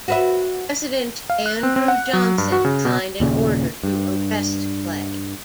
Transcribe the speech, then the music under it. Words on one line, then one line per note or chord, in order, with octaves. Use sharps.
President Andrew Johnson signed an order to arrest Clay.
F#4 B4 E5
F5
F#6
C4
C4
F#5
F#3
G2
F#4
C#3
B2
D#2 A#2 C#3
G2